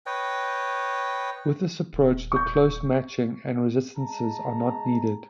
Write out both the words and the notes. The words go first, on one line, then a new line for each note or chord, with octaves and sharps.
With this approach the close matching and resistances are not needed.
B4 C#5 D#5 G5
D#1
C#6 G6
G#3 A5 A#5